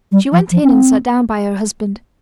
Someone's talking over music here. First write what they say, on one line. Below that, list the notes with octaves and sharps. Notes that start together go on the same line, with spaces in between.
She went in and sat down by her husband.
G3
F3
F3
C#4
C4